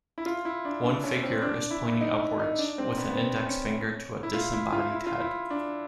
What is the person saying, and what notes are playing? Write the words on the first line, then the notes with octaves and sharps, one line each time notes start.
One figure is pointing upwards with an index finger to a disembodied head.
E4
F4
E4
D4
D4
C#4
C#4
C4
D4
E4
D#4
D#4
D4
C4
B3
B3
C4
C#4
E4
F4
E4
F4
E4
F4
E4
D4